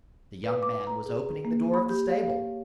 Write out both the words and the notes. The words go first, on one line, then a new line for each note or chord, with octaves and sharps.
The young man was opening the door of the stable.
B4
D6
A#5
G#4
A#3
B5
G4
F5
C#5